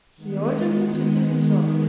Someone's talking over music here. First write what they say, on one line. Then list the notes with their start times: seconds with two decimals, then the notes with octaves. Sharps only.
He ordered me to do so.
0.16 D#3 G#3 B3